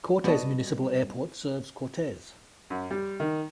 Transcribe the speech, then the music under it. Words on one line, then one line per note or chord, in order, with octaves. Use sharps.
Cortez Municipal Airport serves Cortez.
G3 B3 F#4 D5 D#5 A5
F#2
G3
D#3